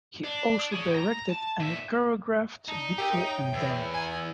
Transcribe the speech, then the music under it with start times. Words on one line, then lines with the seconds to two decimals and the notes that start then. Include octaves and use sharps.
He also directed and choreographed "Beautiful and Damned".
0.24 D4
0.72 C#4 G#4
0.91 G5 A#5
1.29 A5
1.60 A#2 E5
2.68 D#4 D5 A5
2.98 G4 A#4 C#5 E6
3.12 C#5 E5 G5
3.53 E2
3.94 G#5 A#5
4.14 E4